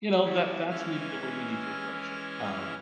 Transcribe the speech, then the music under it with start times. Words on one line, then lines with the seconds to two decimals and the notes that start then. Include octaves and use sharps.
you know, that that's maybe the way you need to approach it. Um,
0.25 E3 B3 E4
0.70 E3 G#3 C#4 E4 F6